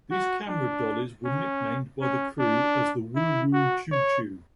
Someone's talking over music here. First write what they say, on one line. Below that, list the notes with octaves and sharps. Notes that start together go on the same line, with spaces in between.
These camera dollies were nicknamed by the crew as "the Woo-Woo Choo-Choo".
F#4
D4
C#4
C#4
D4
E4
F#4
C#5